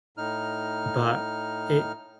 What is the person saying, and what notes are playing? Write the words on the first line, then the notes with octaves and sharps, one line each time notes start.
But it
A2 D#4 F6